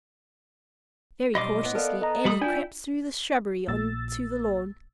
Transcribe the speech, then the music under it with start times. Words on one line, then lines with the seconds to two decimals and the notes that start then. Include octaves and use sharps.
Very cautiously Elly crept through the shrubbery on to the lawn.
1.35 B1 G3 D#5 B5 C6 D6
1.61 A2 A3 B3
1.75 B3 A4 A#4 D5 F5
2.01 A4 D#5 A#5
2.25 G3 B5 D#6
2.41 D4 E4 F4 G5 G#5
3.68 A#1 A#2 E6 A6